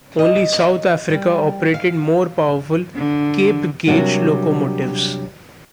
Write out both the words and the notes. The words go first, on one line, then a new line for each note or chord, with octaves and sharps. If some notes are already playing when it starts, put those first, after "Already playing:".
Only South Africa operated more powerful Cape gauge locomotives.
D#5
G3
F5
D3
C3 F#3 G3 D4 F#4 A#4